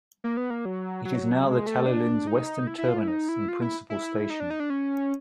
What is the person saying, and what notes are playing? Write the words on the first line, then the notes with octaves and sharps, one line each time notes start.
It is now the Talyllyn's western terminus and principal station.
A#3
B3
A#3
F#3
F#3
G#3
A3
D4
D#4
E4
E4
F4
E4
D#4
E4
F4
E4
E4
D#4
D4
D#4
D4
C#4